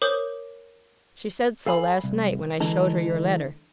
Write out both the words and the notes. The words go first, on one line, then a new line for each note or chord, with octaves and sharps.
She said so, last night, when I showed her your letter.
A#4 C5 C#5 D6 D#6 G6
A4 F5 G#5 B5
C2
D3 E3 G#3 D#4 A4